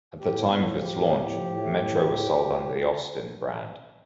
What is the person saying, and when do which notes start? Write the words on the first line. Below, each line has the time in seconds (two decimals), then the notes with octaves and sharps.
At the time of its launch, the Metro was sold under the Austin brand.
0.20 A2 G4
0.36 B3 F4
0.50 A2
0.61 F3 F4
0.81 A2 G4
0.96 B3
1.12 A2
1.27 F3
1.41 A2
1.56 A3
1.72 A2
1.87 E3
2.02 A2